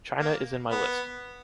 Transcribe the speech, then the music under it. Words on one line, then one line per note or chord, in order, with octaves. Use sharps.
China is in my list.
A#3
B3